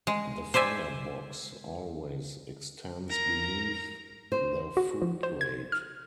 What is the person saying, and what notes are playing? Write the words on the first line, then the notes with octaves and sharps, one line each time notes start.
The firebox always extends beneath the footplate.
G#3
C5 D5 E5 G#5
A#4 A#5
C5
F#4
F3
C5
G#6
F6